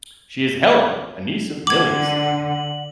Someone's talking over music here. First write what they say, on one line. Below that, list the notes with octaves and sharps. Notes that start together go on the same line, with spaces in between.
She is Helen, a niece of Millie’s.
D3 F#5 D6 G#6 F#7